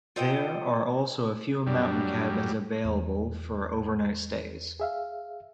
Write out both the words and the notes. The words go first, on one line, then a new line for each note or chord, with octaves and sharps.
There are also a few mountain cabins available for overnight stays.
F4 A4 C5 D#5 F#5 G5
F#2 G3 D4
E2
G#4 E5 F5